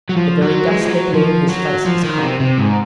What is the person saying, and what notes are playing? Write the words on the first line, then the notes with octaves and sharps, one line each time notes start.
The very dust that blow in his face was cold.
F#3
F3
F#3
G#3
F3
F#3
F3
F#3
F3
D#3
C3
C3
G#2